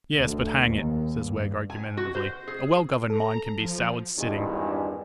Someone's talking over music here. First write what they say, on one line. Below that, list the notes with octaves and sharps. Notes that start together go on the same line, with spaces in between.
'Yes, but hang it,' says Wegg argumentatively, 'a well-governed mind can be soured sitting!
D2
D#2
G2
G#5
F#4
C5
G#4
A4 A#5
F3
G#1 E2 G2 G#3 D4